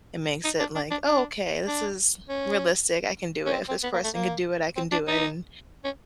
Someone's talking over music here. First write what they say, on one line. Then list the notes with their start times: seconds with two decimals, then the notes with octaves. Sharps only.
It makes it like, "Oh, okay, this is realistic, I can do it. If this person can do it, I can do it." And,
0.45 D#4
0.60 D4
0.75 D4
0.91 D4
1.05 D4
1.68 D4
2.29 C#4
3.46 C#4
3.53 C4
3.69 C4
3.84 B3
3.94 A#3
4.04 A3
4.15 A#3
4.76 C4
4.92 D4
5.08 D#4
5.85 C#4